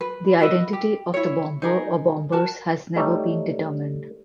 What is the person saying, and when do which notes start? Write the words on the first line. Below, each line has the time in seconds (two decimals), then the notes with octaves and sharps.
The identity of the bomber or bombers has never been determined.
0.01 B4
0.40 F#4 B4 D#5 E5
0.73 G4
1.14 E4 C#5
1.62 D#4 G#4 A#4
2.32 F#4 A#4 A5
2.96 G3 A3 D#4 C#5